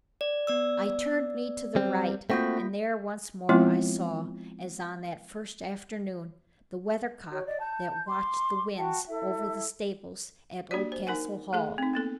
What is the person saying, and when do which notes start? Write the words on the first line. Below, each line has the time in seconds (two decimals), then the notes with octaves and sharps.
I turned me to the right, and there once more I saw, as on that first afternoon, the weathercock that watched the winds over the stables at Oldcastle Hall.
0.21 D5
0.47 B3 D5 E6
1.76 G3 C4
2.30 A3 A#3 C4 F4 F#4 B6
3.49 F3 G#3 B3 C4 E4 F4
7.30 F#4 C#5
7.45 D5 D#5
7.60 A5 G6
8.07 C6 D6
8.76 F#4 G5 A5
9.08 E4 A4 E5
10.71 A#3 D4 F#4 G4 D5
10.92 C5
11.07 D#4 A#4 F#5 G#5
11.53 A3 G#4 A4
11.78 C4 D#4
11.93 A#3 B3 A4